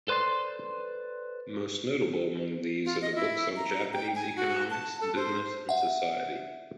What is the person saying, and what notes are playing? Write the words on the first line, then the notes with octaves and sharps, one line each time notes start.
Most notable among these are the books on Japanese economics, business, and society.
A4 B4 C5 D5 C6
F4
D#5
E4
A#5
G5
G#5
F#4
A5
A4
C5
E5 F#5